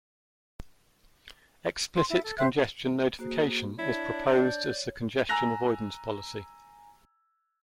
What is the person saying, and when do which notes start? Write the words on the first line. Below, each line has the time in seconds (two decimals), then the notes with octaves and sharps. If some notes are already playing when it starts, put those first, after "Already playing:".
Explicit congestion notification is proposed as the congestion avoidance policy.
1.94 C6
2.09 E4
2.23 A4
2.38 C5 E5 G5 F#6
3.19 A#3 F#4 G#4 C5
3.79 D4 E4 C#5 G#6
4.26 D5 G6
5.29 G#5 A#5 E6 F#6 A#6 F7